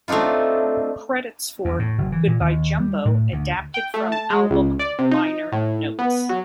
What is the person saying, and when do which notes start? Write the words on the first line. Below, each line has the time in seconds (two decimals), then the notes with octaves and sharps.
Credits for "Goodbye Jumbo" adapted from album liner notes.
0.08 A3 C4 D4 D#4 F4
1.65 E2
1.79 A2
1.98 F#1
2.12 E3
2.28 A#2
2.41 D#2
2.78 G3
3.05 A2
3.32 D2
3.74 G5
3.94 A3
4.12 A5
4.30 G#3
4.50 C#2
4.79 D5
4.99 C3
5.11 D#4
5.52 A2
5.99 B3
6.29 F#3